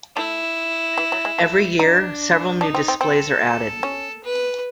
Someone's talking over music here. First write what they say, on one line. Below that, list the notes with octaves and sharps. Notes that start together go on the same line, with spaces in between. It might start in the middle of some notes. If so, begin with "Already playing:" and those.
Every year, several new displays are added.
A3 E4
E3
F#3
G#3
A3
D4 D#4
D4 D#4
C4
C4
C4 A4
C#4
B4